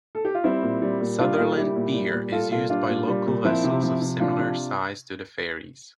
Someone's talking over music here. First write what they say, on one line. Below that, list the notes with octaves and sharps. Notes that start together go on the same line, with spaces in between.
Sutherland Pier is used by local vessels of similar size to the ferries.
A4
G4
F4
G3 C4 E4
A#2
G3
A#2
G3 D4 F4
A#2 F4 A4
G3 E4 G4
A#2
G3
A#2
G3 F4 A4
A#2 F4 A4
G3 D4 F4
A#2
G3
A#2
F3 C4 E4
C3
F3
C3
F3 D4 F4
C3